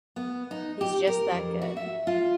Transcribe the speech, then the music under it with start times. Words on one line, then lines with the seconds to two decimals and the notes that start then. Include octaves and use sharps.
He's just that good.
0.16 B3
0.51 D#4
0.81 G4
1.07 A#4
1.31 F2
1.62 F#4
1.77 E5
2.07 F4